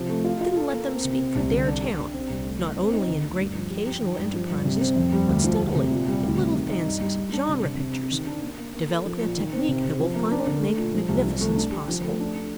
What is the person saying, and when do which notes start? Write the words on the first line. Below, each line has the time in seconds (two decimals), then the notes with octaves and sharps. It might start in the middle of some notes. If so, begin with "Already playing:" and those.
Then let them speak for their town, not only in great occasional enterprises, but steadily, in little fancies, genre pictures, developing a technique that will finally make magnificence possible.
Already playing: C3 F3
0.09 A3
0.24 F4
0.41 F4
0.56 A4
0.73 A#3
0.88 C4
1.04 C3
1.19 C4
1.35 C2
1.51 D3
1.67 D4
1.82 G4
1.98 D4
2.13 C4
2.30 C2
2.45 A3
2.61 D#3
2.76 C4
2.92 D#4
3.07 D3
3.24 D2
3.40 G2
3.55 F3
3.70 G4
3.87 G4
4.02 D#3
4.17 G2
4.33 F3
4.50 G2
4.65 C3
4.81 C4
4.96 F2
5.12 G3
5.27 D2
5.44 F3
5.59 D2
5.75 C3
5.91 A#2
6.07 G3
6.23 D2
6.37 C3
6.53 D#3
6.70 D#4
6.85 G2
7.01 G3
7.16 G3
7.33 D4
7.48 C3
7.64 C3
7.79 C3
7.95 C4
8.11 D#3
8.27 D4
8.43 A#3
8.58 A#3
8.74 A#3
8.89 A4
9.05 F3
9.21 A#2
9.37 D#3
9.52 C4
9.68 C3
9.84 C3
10.00 F3
10.15 A#3
10.31 D4
10.47 D3
10.63 A3
10.78 A#2
10.94 F3
11.09 C2
11.25 F3
11.41 A3
11.56 D4
11.72 G4
11.88 F3
12.04 A3
12.20 D4
12.35 D4